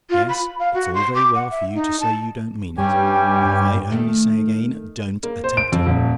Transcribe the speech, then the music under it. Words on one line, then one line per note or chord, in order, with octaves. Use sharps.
Yes--it's all very well for you to say you don't mean it,--but I only say again, don't attempt it.
F4
B5
F5
F#4
C6
D6
F#5
E5
D#4
A5
G2 G3 C#4 G4 G5 G#5
D#3 A3
A#3
C5
D7
F2
D#1